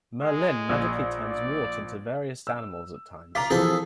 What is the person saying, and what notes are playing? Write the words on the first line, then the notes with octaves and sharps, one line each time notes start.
Merlyn magically turns Wart into various animals at times.
G#3
A#1
D5
E6
F4 A#5 D6 B6
C3 E3 F3 G#4 A4 C5